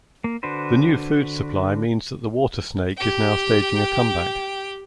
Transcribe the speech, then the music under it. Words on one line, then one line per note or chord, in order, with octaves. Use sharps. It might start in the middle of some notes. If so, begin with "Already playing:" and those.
The new food supply means that the water snake is now staging a comeback.
A#3
D3 D4 F#4 B4 C5
G4 G5